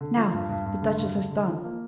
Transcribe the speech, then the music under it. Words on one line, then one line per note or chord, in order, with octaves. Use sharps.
Now--the duchess has done.
D3
F3
G2
G2
G2
D3
G2
D3
D3
F3
A#3